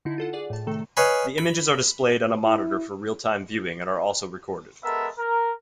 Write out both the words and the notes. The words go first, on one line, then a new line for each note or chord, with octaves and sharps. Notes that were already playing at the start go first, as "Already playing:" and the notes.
The images are displayed on a monitor for real-time viewing and are also recorded.
D3 D#4 E4
F4 A4 F#5
G#4 D5 F#5
A2 A5
C3 D#3 A3 A4
B4 C#5 D#5 F5 G#5 B5
B5
E4
G#3 B3 A4 A#4 E5
A#4